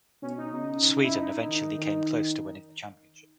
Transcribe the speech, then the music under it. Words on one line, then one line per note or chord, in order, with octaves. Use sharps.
Sweden eventually came close to winning the championship.
B2 C#4
D#4
C#3 D#4
E4
D#4
D#3
D#3